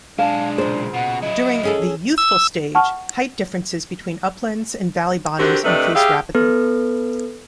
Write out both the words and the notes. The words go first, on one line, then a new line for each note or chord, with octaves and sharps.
During the "youthful" stage height differences between uplands and valley bottoms increase rapidly.
B1 G#3 D4 F5 A5
A#2 C#3 C5
B2 F#5
F#3 E4 D#5
C#4 G#4 A4
E6
F#5 A5 C#6 F6
D3 C4 F#4 G4 A#4
C3 D#3 A3 D4 B4
G4 G#4 E5 F5
B3 A4 B4